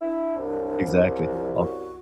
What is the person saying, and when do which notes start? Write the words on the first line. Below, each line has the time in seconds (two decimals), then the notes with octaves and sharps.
Exactly, o
0.02 D4 E4
0.36 C2 F#2
1.31 F3
1.56 F#4